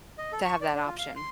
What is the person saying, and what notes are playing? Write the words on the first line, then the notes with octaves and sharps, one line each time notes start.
to have that option.
D#5
A4
C#6
D5
D4
F4
F5
C6